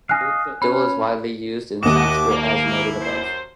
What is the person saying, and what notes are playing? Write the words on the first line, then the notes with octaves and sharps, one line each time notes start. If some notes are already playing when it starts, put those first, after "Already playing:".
The dual is widely used in Sanskrit, as noted above.
D#5 F5 G#5 F#6
C#4 B5
D#2 F#4 D#5 E5 F#5 D6 E7
A#3
E4
F#2 C5